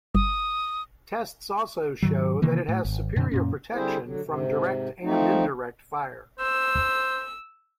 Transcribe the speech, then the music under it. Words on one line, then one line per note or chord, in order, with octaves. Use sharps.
Tests also show that it has superior protection from direct and indirect fire.
G1 D#6
G#2 D#3 F#3
C3 D#3 E3 A#3
A2
G#1
F#2 B2 D3
F#2 A#2 C#4
D3 G3 C4 E4 G#4 C5
D3 F#3
G#2 C3
F3 A3 C4 D#4
C5 E6